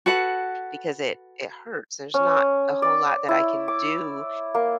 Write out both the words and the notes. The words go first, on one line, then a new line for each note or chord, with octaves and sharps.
because it it hurts. There's not a whole lot that I can do
F#4 A4 B4 F#5
C#4
D5
E4
D6
A#3